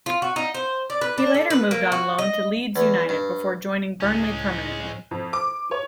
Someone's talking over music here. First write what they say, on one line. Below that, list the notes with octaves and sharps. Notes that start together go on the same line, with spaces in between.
He later moved on loan to Leeds United before joining Burnley permanently.
F4
F#4
D#4
C5
D5
B4
D4
A4
B4
A#3
F#4
D#5
E2
G2
C#2 A2 G#3 C#4 E4
F2
D6
C#5